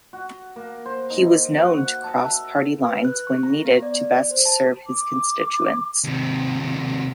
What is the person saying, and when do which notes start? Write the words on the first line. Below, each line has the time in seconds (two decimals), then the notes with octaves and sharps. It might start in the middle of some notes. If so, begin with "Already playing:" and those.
He was known to cross Party lines when needed to best serve his constituents.
0.13 F#4
0.56 A#3
0.86 C5
1.10 D#4
1.57 F#4
1.77 F#5
2.04 A5
2.24 E5
2.85 B4
3.05 F#6
3.27 C#6
3.43 A#5
3.65 B3
3.82 D5
4.31 C5
4.46 A5
4.87 D6
6.04 D#2 C3